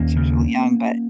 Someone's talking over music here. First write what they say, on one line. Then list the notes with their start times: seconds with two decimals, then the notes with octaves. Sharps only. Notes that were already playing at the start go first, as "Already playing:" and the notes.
she was really young, but,
Already playing: D#2 A#3 C#4
0.16 C#3